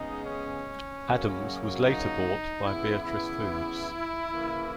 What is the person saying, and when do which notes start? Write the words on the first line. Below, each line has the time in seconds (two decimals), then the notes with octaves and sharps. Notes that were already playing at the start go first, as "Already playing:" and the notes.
Adams was later bought by Beatrice Foods.
Already playing: C#3 G#3 B3 D#4
0.25 C#4
1.05 F#2 C#3 F#3 A#3
1.86 D#4
2.66 C#3 E3 B3 E4
4.29 C#3 E3 A#3